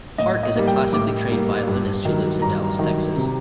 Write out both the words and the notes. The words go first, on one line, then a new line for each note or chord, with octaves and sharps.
Hart is a classically trained violinist who lives in Dallas, Texas.
A2 D#5
D#5
G3 A#3
G5
A2 D6
G3 A#3
G2
D#3 F#3
G2 A#5
D#3 F#3
C3